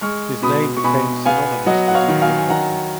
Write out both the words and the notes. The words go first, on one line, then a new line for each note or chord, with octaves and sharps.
His name become synonymous with Indian hockey.
G#3 C#6 F6
B2 B5 D#6
C#6
B2 G#5 B5
B3 F5 G#5
F#3 D#5 F#5
F#5
C#5 F5
D#3
F5 G#5
G#5
D#3 F#5 A#5